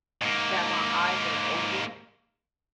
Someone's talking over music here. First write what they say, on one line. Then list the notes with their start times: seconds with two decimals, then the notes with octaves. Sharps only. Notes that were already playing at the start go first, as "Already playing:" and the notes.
that my eyes are opened,
0.22 G#2 A#3